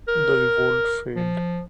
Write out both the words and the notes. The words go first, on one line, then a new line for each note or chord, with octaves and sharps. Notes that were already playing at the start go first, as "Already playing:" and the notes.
The revolt failed.
A#4
F3